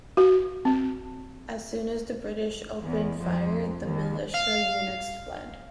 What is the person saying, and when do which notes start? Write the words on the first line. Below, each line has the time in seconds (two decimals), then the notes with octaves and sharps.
As soon as the British opened fire the militia units fled.
0.17 F#4
0.65 C4
2.82 E2
3.19 F2
3.84 D#2
4.34 F5